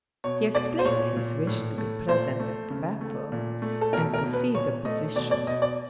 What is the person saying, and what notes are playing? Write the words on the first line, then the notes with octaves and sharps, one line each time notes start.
He explained his wish to be present at the battle and to see the position.
B2 C#5
B2 D5
C5
A#2 C#5
A#2
A2
A3
A#2 C5
A3
C#3
A3
A#2
A3
A4
B2 A#4
A#4
B2
B4
A#2 C#5
A3 D#5
B2 D5
D5
B2 D#5
D5